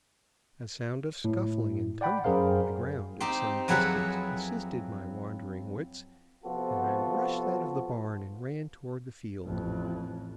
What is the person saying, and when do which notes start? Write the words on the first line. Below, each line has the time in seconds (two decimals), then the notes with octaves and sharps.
A sound of scuffling and tumbling on the ground at some distance assisted my wandering wits, and I rushed out of the barn and ran toward the field.
1.24 A2
2.01 D5 F#5 G5 B5
2.24 F#2 G#4 A#4 C5 F5
3.20 C4 D#4 G4
3.68 F2 F#3 E4 G#4 B4 F#5
6.44 C3 F3 B3 F4 F#4 A4
9.44 A1 F2